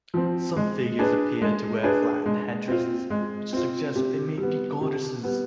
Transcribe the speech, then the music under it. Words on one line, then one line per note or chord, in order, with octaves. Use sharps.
Some figurines appear to wear flattened headdresses, which suggests they may be goddesses.
F3 C4
G#3
D4 G#4 B4
G#3
D4 G#4 B4
G#3
C4 F4
G#3
C4 F4
C3
G3 B3
C3
G3 B3